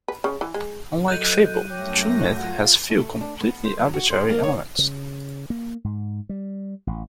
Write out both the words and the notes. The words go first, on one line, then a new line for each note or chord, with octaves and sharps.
Unlike fable, true myth has few completely arbitrary elements.
B4
C#3
E3
G#3
F#3 A4 D#5 F#6 G6 D#7
F#2 A3 C#5 G5 D6 A#6
F4 F#5
A3
D4
B3
C5
F#3
F#4
C5
A#3
C#5
C#3
A#3
G#2
G3
A1